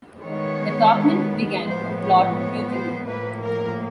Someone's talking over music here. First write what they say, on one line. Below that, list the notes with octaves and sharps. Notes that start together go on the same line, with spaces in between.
The topmen began to plot mutiny.
D#3 G#3 B3 C#5
A2 F3 G#3 B3 C5
C#5
C#5
C5
A2 F3 A#3 B4
A#4